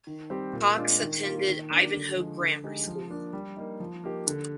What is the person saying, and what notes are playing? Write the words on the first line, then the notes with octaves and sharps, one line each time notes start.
Cox attended Ivanhoe Grammar School.
D#3
G3 C4 G4
A#2
G#3 D4 F4
D#3
A#3 F4
D#3
A#3 D4
D3
F3 G#3
D3
G#3 D#4 G4
F3
A#3 D4
G3
A#3 D#4
F3
A#3 D#4 G4
D3